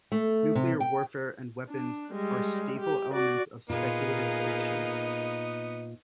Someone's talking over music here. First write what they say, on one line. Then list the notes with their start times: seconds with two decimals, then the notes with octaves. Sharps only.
Nuclear warfare and weapons are staple elements of speculative fiction.
0.12 A3
0.55 C3
0.80 G5
1.70 D4
2.12 G3 G#3
2.80 G4
3.13 F#4 D5
3.69 A#2 B3 D#4 F4 G#4 A#4 F5